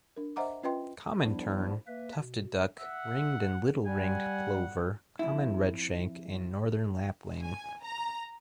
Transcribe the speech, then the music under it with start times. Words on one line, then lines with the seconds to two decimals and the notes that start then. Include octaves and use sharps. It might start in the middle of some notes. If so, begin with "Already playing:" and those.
Common tern, tufted duck, ringed and little ringed plover, common redshank and northern lapwing.
0.16 D4 A#4
0.36 C5 D#5 E5 F#5 A#5 D6
0.63 C#4 F4 B4 D#5 G5 C6
1.21 F3 G3 B3 D4 E4
1.87 A#3 B4 E5
2.20 B2
2.79 E5 F#5
3.85 G3 F#5 G#5
5.19 F2 E4
7.42 G#5
7.82 A#5